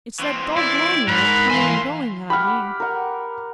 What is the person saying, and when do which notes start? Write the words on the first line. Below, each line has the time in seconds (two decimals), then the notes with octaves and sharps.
It's that dull glow near it, coming and going, that I mean.
0.19 E3 C4
0.57 E4 D5
1.08 G#2 A#4 B5 F#6
1.50 E3 F3 A#3 G#5 C6
2.30 G4 F#5 B5 D6 F6
2.80 A#4 F#5